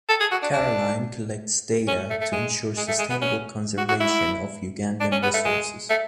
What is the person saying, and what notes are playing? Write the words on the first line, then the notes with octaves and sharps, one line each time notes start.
Caroline collects data to ensure sustainable conservation of Ugandan resources.
A4
G#4
F#4
D4
D4
C#4
A3
A3
G#3
G#3
A3
G#3
B3
C#4
F#4
F#4
E4
D4
C#4
B3
A3
G#3
A3